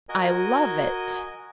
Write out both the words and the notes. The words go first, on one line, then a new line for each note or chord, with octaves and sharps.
"I love it."
F#4 A#4 D#5 G#5